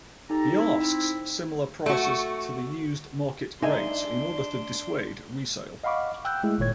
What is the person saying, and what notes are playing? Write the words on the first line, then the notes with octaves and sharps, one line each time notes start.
He asks similar prices to the used market rates in order to dissuade resale.
D#4 G4 A4 A#5
C4 E4
A3 F#4
D4 D#4 D5 E5 G#5 C6
D#5 F5 F#5 B5 C#6 D6
G5 E6 F#6 G6
G#3 A3 E4 G#4
G1 A#2 D#3 C#5 G#6